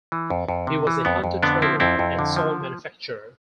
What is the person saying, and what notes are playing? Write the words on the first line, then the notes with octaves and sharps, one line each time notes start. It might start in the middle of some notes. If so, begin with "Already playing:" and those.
He was a hunter-trader and salt manufacturer.
E3
F2
F2
C3
E3
F2 B3
F2
D3 B3 D4
F3 C4 E4
F2 C4 E4
F2
D3
F3